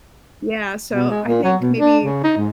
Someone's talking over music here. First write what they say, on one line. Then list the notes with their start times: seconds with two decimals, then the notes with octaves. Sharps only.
yeah, so I think maybe
0.93 B2
1.10 G#3
1.27 A#2
1.43 F#3
1.61 B2
1.78 D4
2.04 C#3
2.24 D#4
2.37 G#2